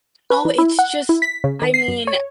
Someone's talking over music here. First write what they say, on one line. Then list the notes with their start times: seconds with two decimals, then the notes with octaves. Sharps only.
oh, it's just I mean,
0.30 B4
0.45 E3
0.58 E4
0.79 F#5
1.09 E4
1.22 B6
1.44 C#3
1.62 D#3
1.74 C7
1.88 F#2
2.07 C#5